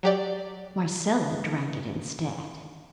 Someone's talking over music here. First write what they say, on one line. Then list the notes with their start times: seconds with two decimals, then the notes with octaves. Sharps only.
Marcella drank it instead.
0.03 F#3 G4 D5